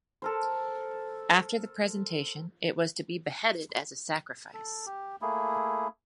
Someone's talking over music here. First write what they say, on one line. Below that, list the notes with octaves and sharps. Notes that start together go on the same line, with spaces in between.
After the presentation, it was to be beheaded as a sacrifice.
A4 A#4 C5
A4
G4
A3 A#3 E4 G#4